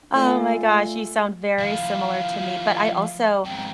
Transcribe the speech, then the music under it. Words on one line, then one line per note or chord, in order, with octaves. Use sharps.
Oh, my gosh, you sound very similar to me, but I also
A3 F4 A4 D5 F5 G#5
F3 E4 F5
F2 G#2 G5